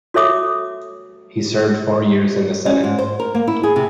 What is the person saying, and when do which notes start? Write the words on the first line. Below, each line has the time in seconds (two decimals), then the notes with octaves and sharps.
He served four years in the Senate.
0.14 F#4 A4 C#5 E5 D6 D#6
2.66 C#4
2.84 G#2
2.99 C5
3.20 A#4
3.35 A#3
3.47 E4
3.63 G#4
3.76 C3